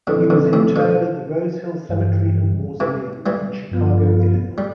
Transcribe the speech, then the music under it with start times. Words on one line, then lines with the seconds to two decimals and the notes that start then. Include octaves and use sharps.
He was interred at the Rosehill Cemetery and Mausoleum in Chicago, Illinois.
0.07 B2 D3 F3 C4 E4
0.30 B2 D3
0.53 A2 C3
0.76 B2 D3
1.89 G2 E3 G3
2.80 C3 E3
3.26 E3 G3
3.71 G2 F3 B3 F4
4.58 G3